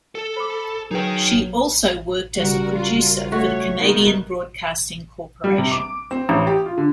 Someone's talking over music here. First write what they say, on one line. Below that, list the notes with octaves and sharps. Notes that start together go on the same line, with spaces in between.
She also worked as a producer for the Canadian Broadcasting Corporation.
A4
C5 B5 D6
F#3 D#4 G#4 A#4 B4 G5
C#3 G3 F#4 A#4
F4 F#4 A#4
A3 F#4 C#5
D#3 G#3 B3
G3
C3
D6
C4
A1
G4
F4
D3